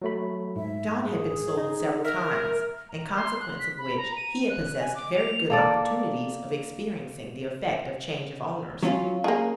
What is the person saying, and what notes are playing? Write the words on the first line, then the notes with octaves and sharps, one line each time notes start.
John had been sold several times, in consequence of which, he had possessed very good opportunities of experiencing the effect of change of owners.
F#3 A3 B5
G#2 E5
G#4
D#4
A#4 E5 F6
A#5
C6
F#6
B6
B5
A#5
D#7
F#6
G#5
D6
F7
A#3 A4 D5
F#3 C#4 F4
C#3 A#3 G#4